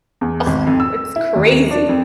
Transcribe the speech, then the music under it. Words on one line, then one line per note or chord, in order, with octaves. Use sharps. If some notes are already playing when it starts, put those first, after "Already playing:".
Ugh, it's crazy!"
E2
G#1
F2
E6
E4
D#2
D4
F2